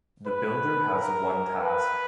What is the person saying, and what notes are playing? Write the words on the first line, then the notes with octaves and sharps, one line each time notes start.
The builder has one task.
B4
A#4
B4